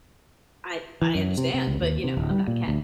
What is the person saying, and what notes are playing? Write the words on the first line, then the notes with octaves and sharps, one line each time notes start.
I I understand, but, you know, I'm not a cat.
E3
F#2
C3
C3
C#2
D#2
C3
D1
G3
A#2
D2